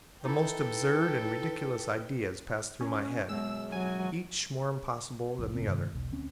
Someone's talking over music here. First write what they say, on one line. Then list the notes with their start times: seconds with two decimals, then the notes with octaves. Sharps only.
The most absurd and ridiculous ideas passed through my head, each more impossible than the other.
0.25 D#4 E4 A4 B4 G5
2.81 C#4
3.29 F#2 B2 G#3 E6
3.72 F#3 G#5
5.38 F1 C2 F2
5.55 G1 C#3 C4
5.67 G2 C3 D#3 G#3
5.93 E1 B1
6.12 D2 C4 C#4